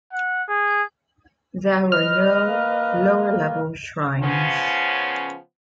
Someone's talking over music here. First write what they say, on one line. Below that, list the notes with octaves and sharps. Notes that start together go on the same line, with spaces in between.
There were no lower-level shrines.
F#5
G#4
B4 D#5 F6
A#3
C#3 F3 B3 C#4